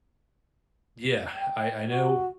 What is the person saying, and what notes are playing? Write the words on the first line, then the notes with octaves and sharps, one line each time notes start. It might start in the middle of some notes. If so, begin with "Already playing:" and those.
Yeah, I I know
G5
F#4